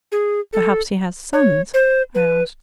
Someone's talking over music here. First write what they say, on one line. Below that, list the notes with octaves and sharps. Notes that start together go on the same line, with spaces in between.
'Perhaps he has sons?' I asked.
G#4
A4
C#5
C5
B4